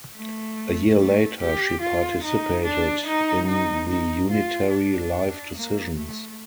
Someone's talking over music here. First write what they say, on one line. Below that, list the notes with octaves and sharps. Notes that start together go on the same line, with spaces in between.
A year later she participated in the Unitary Life Decisions.
A3
A3
G4
F4
D#4
D4
D#4
D#4
D#4
F4
D4
A#3
A3